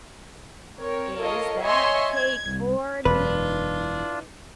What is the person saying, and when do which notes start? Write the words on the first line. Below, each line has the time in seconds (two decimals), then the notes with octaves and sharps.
'Is that cake for me?'
0.79 C4 A#4 C#5
1.20 F4 A4 A#4 C#5 D#5 F5
1.63 C#5 D#5 E5 G#5 C6 C#6
2.12 G#6
2.46 C2
3.05 E1 F#2 D4 F4 B4